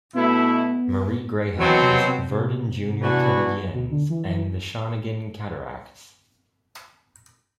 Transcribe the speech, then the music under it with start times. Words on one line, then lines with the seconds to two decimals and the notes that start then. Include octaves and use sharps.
Marie Greyhounds, Verdun Junior Canadiens and the Shawinigan Cataractes.
0.14 B2 A3 B3 E4
1.58 B2 E3 F#3 C4
1.82 C3
2.06 C3
2.30 C3
3.02 E3 B3 D4 F#4
3.74 B2
3.91 D3
4.10 E3
4.28 E3